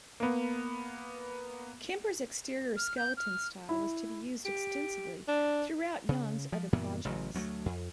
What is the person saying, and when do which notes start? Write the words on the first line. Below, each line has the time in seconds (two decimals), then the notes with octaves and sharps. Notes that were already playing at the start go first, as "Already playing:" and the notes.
Kemper's exterior skeleton style was to be used extensively throughout Jahn's other projects.
0.20 A#3 B3
2.77 F6
2.97 G6
3.17 F6
3.69 E4
4.45 G4
5.28 D4
6.09 C#3
6.52 F3
6.73 F#2 A#2 E3 B3
7.05 A1 C#3 F#3
7.35 D2 F#3 G#3 A3
7.66 F2